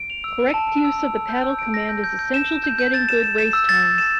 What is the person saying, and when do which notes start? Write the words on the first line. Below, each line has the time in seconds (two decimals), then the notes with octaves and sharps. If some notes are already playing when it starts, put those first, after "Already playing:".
Correct use of the paddle command is essential to getting good race times.
Already playing: D7
0.10 F7
0.24 E6
0.39 D7
0.54 A5
0.69 D7
0.84 E6
0.99 E6
1.14 E6
1.29 G6
1.44 E6
1.59 D7
1.74 A#6
1.89 G6
2.04 G6
2.19 G6
2.34 E7
2.49 E7
2.64 G6
2.79 G6
2.94 A6
3.09 E7
3.24 E7
3.38 E7
3.53 E6
3.69 A6
3.83 A6
3.98 E7